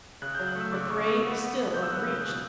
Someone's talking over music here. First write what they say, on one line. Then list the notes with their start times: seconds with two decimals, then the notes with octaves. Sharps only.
The prey is still unreached.
0.22 C#3 F#6
0.34 G6
0.39 F#3
0.47 F#6
0.55 A3 E6
0.72 C#3 D6
0.89 C#3 C#6
1.06 A3 C#6
1.24 B3
1.40 B3
1.58 B3
1.74 C#3 G6
1.83 E6
1.91 B3 F#6
2.07 C#3 G6
2.24 B2 F#6